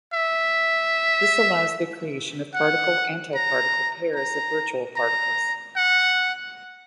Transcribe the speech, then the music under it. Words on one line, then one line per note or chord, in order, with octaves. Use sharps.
This allows the creation of particle-antiparticle pairs of virtual particles.
E5
F#5
A#5
A#5
A#5
F#5